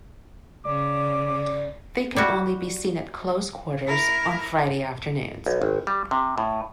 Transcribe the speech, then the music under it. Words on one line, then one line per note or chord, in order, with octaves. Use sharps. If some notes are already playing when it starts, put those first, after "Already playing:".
They can only be seen at close quarters on Friday afternoons.
C#3 D5 D6
G3 E4 F#4
E4 A#4
B1
G#1
G3
C3
A2